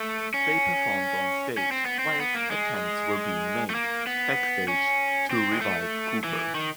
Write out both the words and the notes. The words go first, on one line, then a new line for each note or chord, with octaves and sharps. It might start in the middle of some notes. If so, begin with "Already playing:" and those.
They performed onstage whilst attempts were being made, backstage, to revive Cooper.
Already playing: A3
C#4
C#4
C4
B3
C4
B3
A#3
G#3
A3
A#3
B3
C#4
C4
G#3
A3
E3
D#3